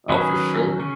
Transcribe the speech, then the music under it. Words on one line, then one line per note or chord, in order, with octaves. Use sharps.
Oh, for sure.
D#3 F#3 C#4 G#4 B4
C#3 C#4